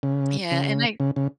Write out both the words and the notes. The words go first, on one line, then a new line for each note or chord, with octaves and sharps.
yeah, and I
C#3
C#3
C#3
C#3